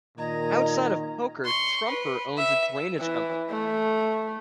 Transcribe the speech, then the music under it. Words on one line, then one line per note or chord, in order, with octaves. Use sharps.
Outside of poker, Trumper owns a drainage company.
A#2 D#3 D#5 A#5 G#6
C6 C#6
B4
E5
E3
A3